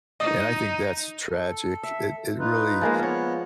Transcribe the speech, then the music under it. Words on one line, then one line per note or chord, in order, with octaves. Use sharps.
and I think that's tragic, it it really
D#4 D#5 D#6
A4
E5
D#4 F4 B4
F3 G#3 A#3
B3 F4 C#5